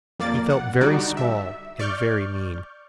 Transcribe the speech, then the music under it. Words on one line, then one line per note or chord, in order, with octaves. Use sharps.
He felt very small and very mean.
F2 A#3 D5 A6
F#5
D3 G3 D#4 F#4 D5
E5
D5 C#6 F6 G6